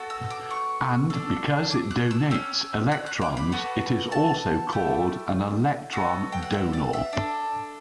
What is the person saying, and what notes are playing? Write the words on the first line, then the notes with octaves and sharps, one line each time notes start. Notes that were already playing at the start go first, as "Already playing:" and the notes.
And because it "donates" electrons it is also called an electron donor.
Already playing: B3 F#4 A4
E6
D6
C#6
D4 A4
D6
F#6
E6
C#4 G4 E6
F#6
F#6
D6
B5
B3 F#4 A4
A5
A3 E4 G4
B3 F#4 A4
G5
F#5
E5
D5
E5
D4 A4